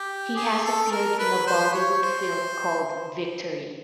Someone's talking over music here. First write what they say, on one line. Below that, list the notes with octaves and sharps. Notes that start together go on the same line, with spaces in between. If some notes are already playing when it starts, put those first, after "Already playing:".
He has appeared in a Bollywood film called Victory.
Already playing: G4
G#4
A4
A#4
B4
C5
C#5
C5